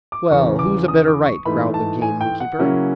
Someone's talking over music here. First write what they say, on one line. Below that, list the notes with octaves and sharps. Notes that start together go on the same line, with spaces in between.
"Well, who's a better right?" growled the gamekeeper.
D6
E2 C#3 E3 C#6
D6
D#6
D6
C#6
G#2 E3 A3 B5
A5
G#5
G5
F#5
C#3 F#3 A#3 C#4 E4